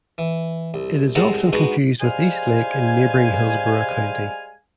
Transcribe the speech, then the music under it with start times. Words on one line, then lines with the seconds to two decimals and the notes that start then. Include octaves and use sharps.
It is often confused with East Lake in neighboring Hillsborough County.
0.18 E3
0.74 C2
1.15 C2 G#3 C4 F#5 A5 A#5
1.53 G#3 B3 D4 D#4 F#4
2.01 G3 G#3 C5 F5 G#5